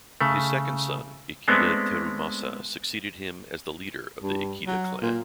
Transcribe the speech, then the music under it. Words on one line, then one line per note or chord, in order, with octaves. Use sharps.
His second son, Ikeda Terumasa, succeeded him as the leader of the Ikeda clan.
C#3 A3
G#3 A3 B3 C4 D4
G2
F#3
A#2